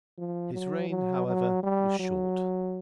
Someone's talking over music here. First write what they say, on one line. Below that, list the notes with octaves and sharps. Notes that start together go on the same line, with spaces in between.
His reign, however, was short.
F3
F#3
F#3
F#3
G3
F#3